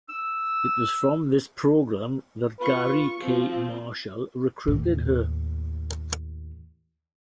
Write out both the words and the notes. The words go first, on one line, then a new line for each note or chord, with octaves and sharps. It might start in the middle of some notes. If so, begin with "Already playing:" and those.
It was from this program that Garry K. Marshall recruited her.
E6
F4 B4 C#6
F3 C4 F4
D#2 A2